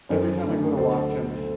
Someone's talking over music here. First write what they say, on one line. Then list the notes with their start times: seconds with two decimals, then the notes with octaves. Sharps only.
every time I go to watch 'em,
0.09 F#2 A4 C5
0.43 D3 A3 D4
0.77 D2 A4 C5